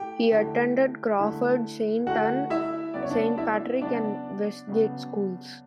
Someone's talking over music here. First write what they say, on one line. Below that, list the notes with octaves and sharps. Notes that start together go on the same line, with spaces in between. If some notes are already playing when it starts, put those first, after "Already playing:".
He attended Crawford, Saint Ann, Saint Patrick, and Westgate schools.
Already playing: A3 E4 G4 G5
D3 A3 E4
D3 A3 E4
D3 A3 E4 F#4 F#5
E4 E5
C#3 F#3 B3 D5
C#5
D4 D5
E4 E5
C#3 F#3 B3 D4 D5
C#3 F#3 B3